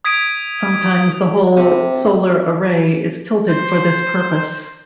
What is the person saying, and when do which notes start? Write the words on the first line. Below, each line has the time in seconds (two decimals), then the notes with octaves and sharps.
Sometimes the whole solar array is tilted for this purpose.
0.05 D#6 G#6 B6 D7 D#7
1.57 C3
3.49 C5